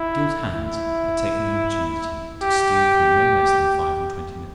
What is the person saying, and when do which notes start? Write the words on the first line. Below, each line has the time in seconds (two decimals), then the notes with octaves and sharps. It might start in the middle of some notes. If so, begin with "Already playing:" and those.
The gilt hands had taken the opportunity to steal through no less than five and twenty minutes behind his back.
Already playing: E4
0.54 E4
2.42 G4